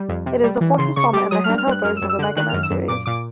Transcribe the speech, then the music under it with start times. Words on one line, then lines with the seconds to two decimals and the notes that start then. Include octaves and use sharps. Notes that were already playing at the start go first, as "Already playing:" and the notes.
It is the fourth installment in the handheld version of the "Mega Man" series.
Already playing: G3
0.09 F2
0.26 C3
0.43 G3
0.61 E3
0.78 C#3 C6
0.96 C#3 C#6
1.13 G3 D6
1.31 F#3 D#6
1.44 G2 F6
1.58 F6
1.67 G2 F#6
1.84 F#2 F6
1.97 E6
2.02 F#2
2.10 E6
2.19 D3 F#6
2.36 D#3 F#6
2.49 F#2 F6
2.63 E6
2.71 F#2
2.88 A#2 D6
3.06 A#2 D6